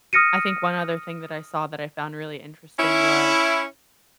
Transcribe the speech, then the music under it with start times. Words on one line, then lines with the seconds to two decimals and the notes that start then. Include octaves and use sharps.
I think one other thing that I saw that I found really interesting was,
0.13 D#6 F6 A#6 C#7 D#7
2.78 C#4 E4